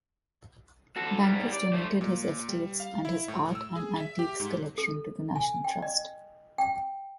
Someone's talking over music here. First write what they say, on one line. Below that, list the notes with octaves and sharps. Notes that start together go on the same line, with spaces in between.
Bankes donated his estates and his art and antiques collection to the National Trust.
F#4 A4
G#2 G3
D5
A3 C5
A#2
G3
F5
E4
A2
E6
G#4
E5
G4
G#2
A4
G#5
G5
D#5
G5